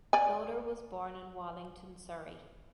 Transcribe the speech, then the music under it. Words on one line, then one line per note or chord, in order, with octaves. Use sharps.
Loader was born in Wallington, Surrey.
D5 G#5